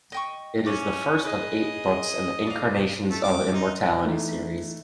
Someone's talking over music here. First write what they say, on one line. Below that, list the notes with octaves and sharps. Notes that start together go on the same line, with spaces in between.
It is the first of eight books in the Incarnations of Immortality series.
D#5 G5 C#6
C#4 E5 D6
G#4 B4 D#5
D5 F5
A3
D6
D#4
E3 A3 D#4